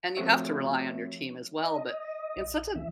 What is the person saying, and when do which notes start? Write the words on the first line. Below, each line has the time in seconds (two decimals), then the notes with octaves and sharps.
And you have to rely on your team as well. But, in such a
0.17 F3 A3 C4 F#4 C#5 E5
1.63 D#5
2.36 A#1
2.76 C2 E3 E5